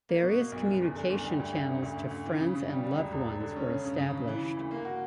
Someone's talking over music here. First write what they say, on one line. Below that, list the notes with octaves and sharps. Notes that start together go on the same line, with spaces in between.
Various communication channels to friends and loved ones were established.
A#3
B2
A#3
B1
F#1
E2
D3
E2
G3
D2
D2
C#3
D2
D2
D2
E3
C#3
C#3
G3
G3
E1
E1
E1
D3
C#4
C#3
C#3
C#3
C#3
E3
E3
D2
A#3
F#4